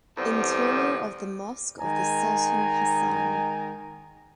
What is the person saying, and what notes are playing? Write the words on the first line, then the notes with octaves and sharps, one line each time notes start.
Interior of the Mosque of the Sultan Hassan.
E2 D3 G3 C4
D#3 G#3 G#5 A#5